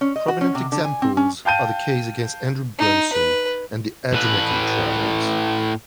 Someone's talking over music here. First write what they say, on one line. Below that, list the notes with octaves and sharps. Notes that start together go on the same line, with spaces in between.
Prominent examples are the case against Andrew Brunson and the Ergenekon trials.
C#4
D#5
F#4
C#4
C3
D3
G#5
C4
C#4
F5 G5 A5 G6 D#7
D#4
B4
A2 B4